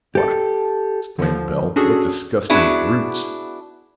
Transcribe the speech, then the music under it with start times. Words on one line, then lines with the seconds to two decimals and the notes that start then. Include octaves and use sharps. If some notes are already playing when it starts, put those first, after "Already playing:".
"Faugh!" exclaimed Bell, "what disgusting brutes!"
0.15 G4 A4
1.19 D3 F3
1.76 C#4 D4 F#4 G#4 A4
2.50 B3 D4 E4 F#4 G#4